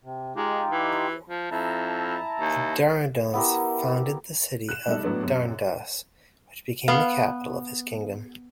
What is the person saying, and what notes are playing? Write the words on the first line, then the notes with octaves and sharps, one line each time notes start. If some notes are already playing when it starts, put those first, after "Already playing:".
There Dardanus founded the city of Dardanus which became the capital of his kingdom.
C3
G#3 D#4 F4 G4
E3
F3
F2 E4 A5 A#5
D#2
B3 E4 G4 A#4
F#6 E7
G3 A3 D#4 A4
A2 F#3 B3 D4
F#2 C3
B3 F5